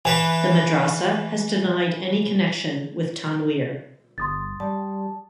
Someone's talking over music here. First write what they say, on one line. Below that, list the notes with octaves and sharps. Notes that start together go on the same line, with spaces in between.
The madrasa has denied any connection with Tanweer.
E3 B4 G#5
G1 C6 D#6 A6
G3 A5